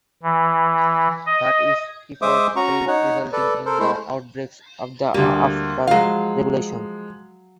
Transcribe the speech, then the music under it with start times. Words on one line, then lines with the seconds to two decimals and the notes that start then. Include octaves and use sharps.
But his efforts failed resulting in the outbreak of the Aster Revolution.
0.23 E3
1.26 D#5
2.22 G#3 C5 E5 D6 D#6
2.56 C#4 F#4 A#5 C#6
2.88 D#4 C#5 F#5
3.32 A4 B4 D5
3.66 A4 A#4 C5
3.79 G#3 A3 E4 C5
5.14 D2 G3 A#3
5.87 F3 F#3 G#3 F5